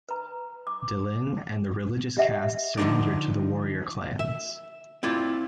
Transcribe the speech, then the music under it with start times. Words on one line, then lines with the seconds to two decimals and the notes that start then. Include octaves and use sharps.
Delenn and the religious caste surrendered to the warrior clans.
0.09 B4 A#5
0.67 D6
2.17 G4 D#5 E5 F#5
2.77 D3 F3 A3 D4 D#4 D5
4.19 E5
5.03 C4 E4 F4 D5